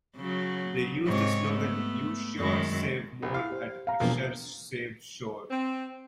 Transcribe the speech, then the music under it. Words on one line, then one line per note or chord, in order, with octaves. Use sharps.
They used the slogan You sure save more at a ShurSave store.
C#3 F#3
G#2 C3 C#5
A3 B3
F#2 D#3 G#3
A#1
E4 F5
G4 C5
F5 A#5
E1 E2 F3 A#3
C4